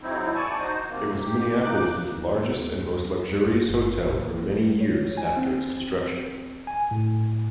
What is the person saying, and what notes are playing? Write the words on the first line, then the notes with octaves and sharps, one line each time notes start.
It was Minneapolis's largest and most luxurious hotel for many years after its construction.
G#2 F#3 C4 D#4 E4
D5 G#5 A5 C#6
D#4 F#4 C5
C3 A#3
G4
C#3 D#4 D6 F#6
E2
D#2
G2
G1
A#2
C#5
G#5
C4
G#5
A2